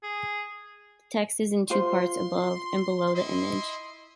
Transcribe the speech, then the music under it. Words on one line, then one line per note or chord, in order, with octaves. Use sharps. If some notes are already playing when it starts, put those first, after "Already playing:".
The text is in two parts, above and below the image.
G#4
F4 C5 C6
E4 D#5 C6